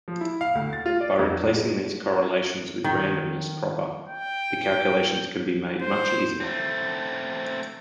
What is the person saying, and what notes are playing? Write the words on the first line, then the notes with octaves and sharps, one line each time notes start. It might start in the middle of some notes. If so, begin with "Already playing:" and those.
By replacing these correlations with randomness proper, the calculations can be made much easier.
F3
E4
F5
D2
A6
F4
D5
F2
F#3
A2
G#3
D#3
G5
C5
A3 C4